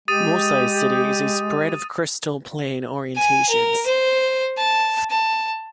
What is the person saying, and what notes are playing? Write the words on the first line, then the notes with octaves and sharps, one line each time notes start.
Mosaicity is a spread of crystal plane orientations.
G#3 G4 D#6 A6 D#7
G#5
A#4
C5
A5
A5